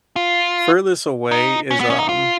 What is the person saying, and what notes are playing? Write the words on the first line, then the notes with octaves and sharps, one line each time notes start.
furthest away is, um,
F4
D#4
C#4
B3
C#4
D#4
F4